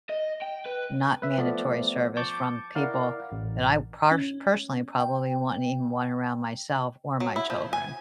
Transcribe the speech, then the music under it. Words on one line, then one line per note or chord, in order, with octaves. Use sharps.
not mandatory service from people that I parsh personally probably wouldn't even want around myself or my children.
D#5
G5
B4
B4 E5
F3 A3 B3 D5
A5 C#6 D6 G6 A6
E4 A#4 D5 F5 F#5
A1
C#4
G5
F#3
E4
F3
G#5